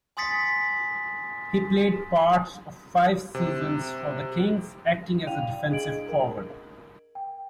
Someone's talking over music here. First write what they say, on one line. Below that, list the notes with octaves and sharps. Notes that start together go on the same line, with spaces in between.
He played parts of five seasons for the Kings, acting as a defensive forward.
G#5 C6 D#6 A6 B6 C#7
C3
E4 D5 F5 G5 D#7 F7
D4 G#4 D#5 G#6 D7 F#7
A#4
G5